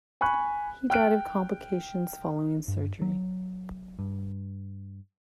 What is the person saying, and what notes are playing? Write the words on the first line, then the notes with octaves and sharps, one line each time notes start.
He died of complications following surgery.
G#5 B5 C#6 F#6
G5 F6 F#6 D7
G2
F#3
G2